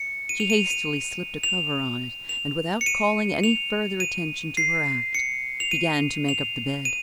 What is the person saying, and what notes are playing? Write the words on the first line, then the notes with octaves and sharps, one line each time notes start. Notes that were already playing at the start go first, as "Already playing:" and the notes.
She hastily slipped a cover on it, and without calling any further attention to her act, began to make up the bed.
Already playing: C#7
D#7
F7
D#7
F7
D#7
F7
F7
C#7
D#7
F7
D#7
C7
C#7
F7
D#7
F7
D#7